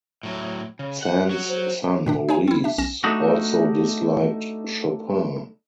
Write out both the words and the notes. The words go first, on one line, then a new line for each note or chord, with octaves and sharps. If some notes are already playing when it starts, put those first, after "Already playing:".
Sand's son Maurice also disliked Chopin.
A2 F#3
C#3
F#5
F#3 F#4
C5
A#2 D#3 D4
D#4 C#5 G#5 A#5
C4 E4
D4 E5
B1 C#4 A#6 E7
A3 D4 D#4 F#4